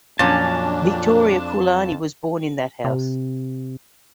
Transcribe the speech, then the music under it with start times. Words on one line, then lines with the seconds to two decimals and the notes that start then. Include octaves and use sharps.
Victoria Kaiulani was born in that house.
0.19 F2 A#2 F#3 C#4 D4 A5
2.84 C3